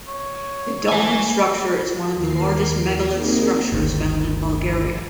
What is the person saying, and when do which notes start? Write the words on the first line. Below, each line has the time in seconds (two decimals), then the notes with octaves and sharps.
The dolmen structure is one of the largest megalith structures found in Bulgaria.
0.08 C#5
0.88 B4 G#5
2.14 D#2 A#4 C7
3.10 A#3 C4 D#4 G#4 A#4
3.72 G1 D2 D#3